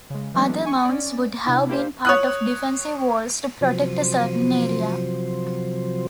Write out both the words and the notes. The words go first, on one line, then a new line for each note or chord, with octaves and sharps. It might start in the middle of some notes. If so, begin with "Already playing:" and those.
Other mounds would have been part of defensive walls to protect a certain area.
C#3 G#3
E3 F#3 G#3 A3 B3 D4
G#5 C#6
C#4 D5
C3 D4 E4
A#3 E4 G4 C5 F5
C#5 D#6 F#6
C3 F3 F#3 C5